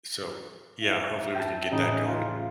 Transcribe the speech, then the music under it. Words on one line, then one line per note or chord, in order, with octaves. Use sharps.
so, yeah, hopefully, we can get that going.
E5
G5 A5
A1 C#3 D#4
F4